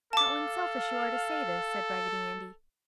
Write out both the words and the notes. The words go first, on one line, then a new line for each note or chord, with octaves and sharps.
"How unselfish you are to say this!" said Raggedy Andy.
A4 F5 A5 D6